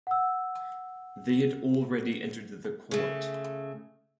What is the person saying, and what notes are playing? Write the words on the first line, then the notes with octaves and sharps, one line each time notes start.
They had already entered the court.
F#5 E6
C#3 A3